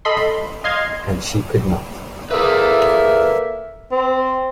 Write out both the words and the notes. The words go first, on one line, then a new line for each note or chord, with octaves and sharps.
And she could not.
A4 D#5 B5 C6
D#5 F5 C6 G#6
A#3 G#4 A4 B4 E5
C4